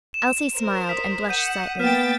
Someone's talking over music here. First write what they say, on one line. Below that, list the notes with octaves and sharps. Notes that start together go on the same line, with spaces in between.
Elsie smiled, and blushed slightly.
E7
A#4 C5
D#6 B6
F#5 G6 D#7 E7
A#3 B3 G5 F6 A6 B6 E7